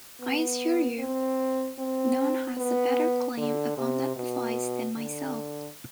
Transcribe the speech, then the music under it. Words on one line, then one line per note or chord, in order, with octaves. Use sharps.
I assure you, none has a better claim upon that device than myself.
B3
C4
C4
B3
D3
C3
B2
D3